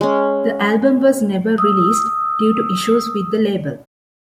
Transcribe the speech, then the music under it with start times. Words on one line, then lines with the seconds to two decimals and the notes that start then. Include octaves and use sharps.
The album was never released due to issues with the label.
0.01 G#3 C#4
1.58 D#6 E6